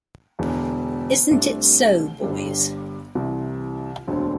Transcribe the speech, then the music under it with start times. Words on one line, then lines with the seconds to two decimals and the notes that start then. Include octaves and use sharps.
Isn't it so, boys?
0.39 E1 E2 D3
1.31 C2 C3 A3 D4
2.22 G1 G2 G3
3.15 C2 C3 E3
4.07 E1 D2 D3 C4